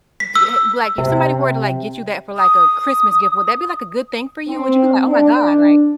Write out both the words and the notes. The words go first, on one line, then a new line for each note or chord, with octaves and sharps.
d y h like, if somebody were to, like, get you that for, like, a Christmas gift, would that be, like, a good thing for you? Would you be like, "Oh my god, like"
B6
E6
C3
D#6
C4
D4